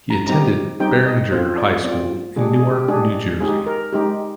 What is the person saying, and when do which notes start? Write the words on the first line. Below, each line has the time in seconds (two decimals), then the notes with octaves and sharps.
He attended Barringer High School in Newark, New Jersey.
0.10 A#5
0.28 G3 C4 D#4 G4 A#5
0.80 G3 C4 D#4 G4 G5
1.06 D#5
1.32 C4 F4 C5
1.58 D5
1.84 C4 F4 D5
2.36 G#3 D4 G4 G#4
2.54 G#4
2.71 G4
2.88 G#3 D4 G4 G#4
3.40 G#3 D#4 G4 G#4
3.67 A#4
3.93 G#3 D#4 G4